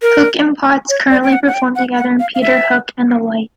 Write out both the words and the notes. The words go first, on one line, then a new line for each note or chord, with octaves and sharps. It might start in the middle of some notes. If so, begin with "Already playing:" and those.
Hook and Potts currently perform together in Peter Hook and The Light.
A#4
C#5
D5
G5
F#5
F#5
G5
F#5
F#5
F5
F5
E5